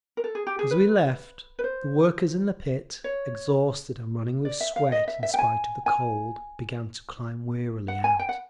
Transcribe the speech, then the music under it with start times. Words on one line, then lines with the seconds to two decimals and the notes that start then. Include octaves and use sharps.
As we left, the workers in the pit, exhausted and running with sweat in spite of the cold, began to climb wearily out.
0.17 A#4
0.24 A4
0.35 G#4
0.47 G4
0.59 G#4
0.71 B4
1.59 B4
1.64 C5
3.04 C#5
4.45 D5
4.61 E5
4.76 F5
4.92 D#5
5.08 E5
5.23 E5
5.34 G5
5.39 G#5
5.86 G#5
7.88 F#5
8.04 G#5
8.19 G5
8.29 F#5